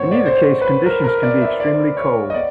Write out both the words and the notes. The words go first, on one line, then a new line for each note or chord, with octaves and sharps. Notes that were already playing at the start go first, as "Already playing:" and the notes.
In either case conditions can be extremely cold.
Already playing: A2 F#3 B3 C5 C#5
D5
C5
C#5
B4
A#4
A#4
D5
E5
D5
C#5
D#5
B3 D5